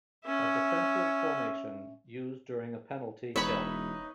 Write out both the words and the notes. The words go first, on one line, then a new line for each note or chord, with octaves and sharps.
A defensive formation used during a penalty kill.
C#4 E5
E1 D#4 B4 C#5 E5 B5